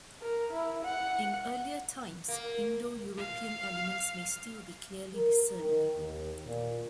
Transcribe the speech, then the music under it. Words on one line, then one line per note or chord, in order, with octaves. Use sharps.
In earlier times, Indo-European elements may still be clearly discerned.
A#4
E4
F#5
A#3
F5
A#4
D#3
D#2
A#2